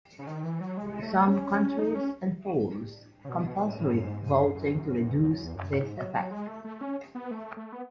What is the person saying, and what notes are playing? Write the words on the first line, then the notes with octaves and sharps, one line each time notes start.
Some countries enforce compulsory voting to reduce this effect.
C#3
D#3
E3
F#3
G#3
A3
C#4
C#4
D#4
C#4
C#3
B2
B2
A2
A2
F#2
G#2
G#2
F#2
F#2
E2
F#2
E2
F#2
E2
F#2
A2
G#2
F#3
F#3
G#3
A3
A3
C#4
B3
A3
A3
B3